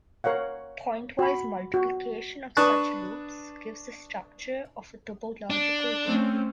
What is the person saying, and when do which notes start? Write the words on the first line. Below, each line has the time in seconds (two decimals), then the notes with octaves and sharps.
Pointwise multiplication of such loops gives the structure of a topological group.
0.24 A#4 C#5 F5 F#5
1.19 F#4 B5
1.74 F#4
2.57 D4 B4 A5 C#6 D#6 F#6
5.50 D4
6.05 A3 C4 C#4